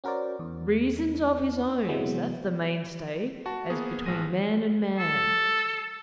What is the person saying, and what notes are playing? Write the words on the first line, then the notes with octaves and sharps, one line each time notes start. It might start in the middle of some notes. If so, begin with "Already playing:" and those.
Reasons of his own; that's the mainstay; as between man and man.
C#4 F#4 A#4 C5 D5
E2
C3 E3 F#3 G#3 B3
F#4 A5
A#3 B3 G#4
A1 G#3 A#6 D#7
A4